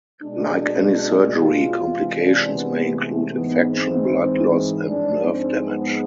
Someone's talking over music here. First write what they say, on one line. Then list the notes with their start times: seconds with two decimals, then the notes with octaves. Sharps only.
Like any surgery, complications may include infection, blood loss, and nerve damage.
0.21 B2 G#3 D4
0.60 D4
0.99 D4
1.37 F4
1.77 E2 C3 G#3
2.16 D4
2.54 B3
2.94 A3
3.32 G#2 E3 G#3 B3
3.71 C4
4.88 G#2 F3 G#3 D4
5.28 C4
5.66 B3